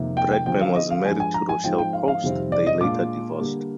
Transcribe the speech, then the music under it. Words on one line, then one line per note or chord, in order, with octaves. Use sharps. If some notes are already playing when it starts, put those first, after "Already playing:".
Brackman was married to Rochelle Post; they later divorced.
Already playing: F2 C3 D#3 A#3
G5
G5
D3 F3 C4 F4 G5
F5
D#5
F5
G2 F3 G#3 G#5
G#5
A#5
G#5
G#2 F3 G#3 C4 F4 G5
G5
F5
F5
F2 C3 D#3 G3 C4
D5
D#5
A#2 G#3 D4 F4 D6
D3 G3 A#3